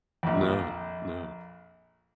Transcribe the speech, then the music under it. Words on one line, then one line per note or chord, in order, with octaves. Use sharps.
No. No.
A#1 F2